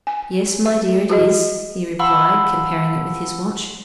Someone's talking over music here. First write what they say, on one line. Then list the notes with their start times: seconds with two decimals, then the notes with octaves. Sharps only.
"Yes, my dear, it is," he replied, comparing it with his watch.
0.07 G#5
0.66 E5
1.10 F#4 G#4 D#5
1.99 F5 F#5 A5 B5 C6 E6